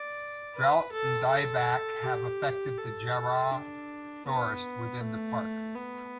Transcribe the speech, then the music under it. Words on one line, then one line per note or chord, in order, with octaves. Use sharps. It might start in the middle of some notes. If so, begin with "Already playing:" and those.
Drought and dieback have affected the jarrah forest within the park.
Already playing: D5
B4
A4
A4
G4
A4
D4
B3
A3
B3